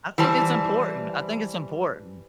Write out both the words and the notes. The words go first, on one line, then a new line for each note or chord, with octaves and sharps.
I think it's important, I think it's important.
E3 G3 C5 A5